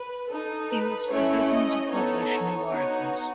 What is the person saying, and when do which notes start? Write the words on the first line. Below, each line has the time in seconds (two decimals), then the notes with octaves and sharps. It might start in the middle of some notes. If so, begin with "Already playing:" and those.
He was forbidden to publish new articles.
Already playing: B4
0.30 D#4 A4
0.70 B4
1.10 A3 C#4 E4 C#5
1.50 D#5
1.88 B3 D#4 A4 C#5
2.29 C#5
2.68 B3 D#4 F#4 C#5